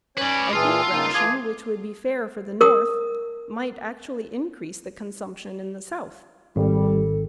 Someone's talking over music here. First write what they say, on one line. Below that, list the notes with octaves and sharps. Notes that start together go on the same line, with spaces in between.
A wheat ration which would be fair for the North might actually increase the consumption in the South.
C#4 B4 C#5 D5
A#2 E3 F4 G#4 G5 A5 E6
C#3 A#3 D#4
E3 G#4 F5 A5 D6
A#4 D#6
G#1 G3 A4